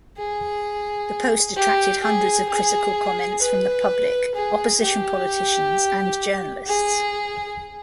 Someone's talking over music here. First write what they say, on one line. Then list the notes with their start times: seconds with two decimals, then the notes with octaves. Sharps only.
The post attracted hundreds of critical comments from the public, opposition politicians and journalists.
0.18 G#4
1.56 G4
2.03 G#4
2.49 G#4
3.42 B4
4.34 G#4
4.81 G4
6.66 G#4